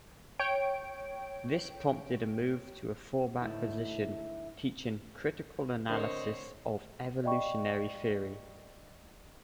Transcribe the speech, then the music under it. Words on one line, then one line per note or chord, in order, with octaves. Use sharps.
This prompted a move to a fallback position, teaching "critical analysis" of evolutionary theory.
C#5 G5 D7
A2 D3 A3 B3 D#4 E4
D3 C4 A#4 C5 C#5 D#5 A5
D5 D#5 F5 G5 B5 C#6